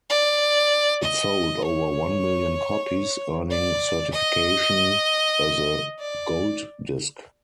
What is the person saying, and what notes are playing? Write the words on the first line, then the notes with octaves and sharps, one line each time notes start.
It sold over one million copies, earning certification as a gold disc.
D5
D#5
C#5
D5
D#5
D5